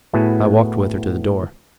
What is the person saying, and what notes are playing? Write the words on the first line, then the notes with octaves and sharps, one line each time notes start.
I walked with her to the door.
A2 B3 E4 F#4 G#4 A5